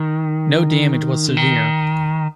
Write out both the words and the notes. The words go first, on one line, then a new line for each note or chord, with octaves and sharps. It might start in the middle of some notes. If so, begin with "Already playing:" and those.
No damage was severe.
Already playing: D#3
D3
D#3